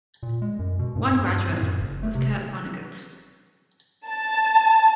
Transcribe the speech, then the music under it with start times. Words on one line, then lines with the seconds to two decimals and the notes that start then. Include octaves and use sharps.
One graduate was Kurt Vonnegut.
0.23 A#2
0.42 G#3
0.59 F#2
0.79 B2
0.96 G2
1.14 G2
1.49 A2
1.63 F#2
1.80 F#1
2.03 A3
2.15 C3
4.06 A5